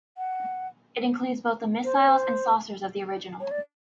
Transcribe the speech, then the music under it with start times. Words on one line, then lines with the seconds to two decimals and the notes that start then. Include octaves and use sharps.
It includes both the missiles and saucers of the original.
0.18 F#5
1.84 C5
1.96 C#5
2.08 C5
3.40 C#5
3.51 D5